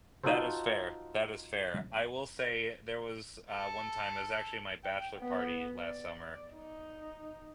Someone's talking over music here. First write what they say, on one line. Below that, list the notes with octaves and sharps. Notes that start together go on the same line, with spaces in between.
That is fair that is fair, I will say there was, uh, one time, it was actually my bachelor party last summer,
D#4 F4 F#4 A4 C5
A4
G5
B3
D5
D#4